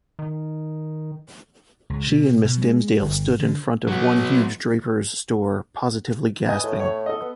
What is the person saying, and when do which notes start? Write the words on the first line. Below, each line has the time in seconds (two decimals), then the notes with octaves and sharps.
She and Miss Dimsdale stood in front of one huge draper's store positively gasping.
0.19 D#3
1.90 C#2
2.07 B2
2.45 B2
2.62 G#3
3.02 G1
3.39 D3
3.88 F#3 B3
6.49 B4 D#5 G#5
6.63 A2
6.80 C#5
7.06 A4 D#5
7.22 B3